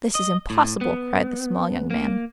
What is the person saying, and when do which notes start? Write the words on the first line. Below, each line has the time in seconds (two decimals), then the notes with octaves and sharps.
"This is impossible!" cried the small young man.
0.15 D#5
0.50 A2
0.81 B3
1.90 A#3